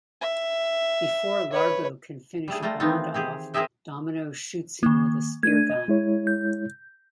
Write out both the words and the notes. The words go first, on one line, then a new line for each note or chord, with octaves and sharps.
Before Largo can finish Bond off Domino shoots him with a spear gun.
E5
B4 C#5
G3 A3 G#4
G3 A3 F4 A#5
D#3 E3 B3 C4 D#4 F4
C4 G4 G#4
C4 G#4 A#4 D#5 E5 G5
D#3 A#3
A3 D4 G#6 D#7
D#5
G#3 E4 C#5
G6